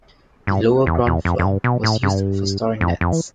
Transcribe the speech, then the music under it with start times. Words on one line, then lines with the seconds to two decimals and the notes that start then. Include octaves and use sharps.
The lower ground floor was used for storing nets.
0.47 G2
0.86 E2
1.06 E2
1.25 F2
1.39 F2
1.45 G2
1.64 B2
1.84 A2
2.03 G2
2.81 F2
3.01 F2
3.12 E3